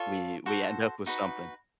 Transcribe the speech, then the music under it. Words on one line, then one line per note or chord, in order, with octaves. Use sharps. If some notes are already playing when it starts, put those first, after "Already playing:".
we we end up with something.
Already playing: F4 A4 C#5
F#4 A4 C5
D#4 F#4 B4